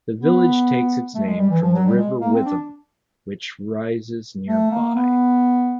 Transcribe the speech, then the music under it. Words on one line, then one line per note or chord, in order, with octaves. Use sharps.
The village takes its name from the River Witham which rises nearby.
B3
A3
G#3
G3
E3
F3
F#3
G3
G#3
A#3
C4
D4
A3
A#3
B3